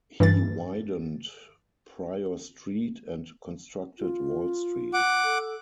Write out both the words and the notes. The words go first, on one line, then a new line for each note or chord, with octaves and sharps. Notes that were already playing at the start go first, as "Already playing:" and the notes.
He widened Pryor Street and constructed Wall Street.
G2 E3 A6
F4
F#5 D6
A4